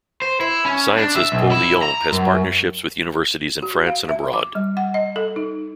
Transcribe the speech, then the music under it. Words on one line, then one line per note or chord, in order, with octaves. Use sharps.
Sciences Po Lyon has partnerships with universities in France and abroad.
C5
E4
C#4
D4
E5
B1
E4
A#5
F#2
F#4
F5
E5
D6
G3
F#5
D#5
A4
D#4